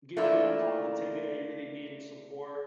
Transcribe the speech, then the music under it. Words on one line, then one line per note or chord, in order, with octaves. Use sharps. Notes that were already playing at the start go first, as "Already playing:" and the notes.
It gives you that positivity that you really need, and support.
A3 A#3 D4 E4 F4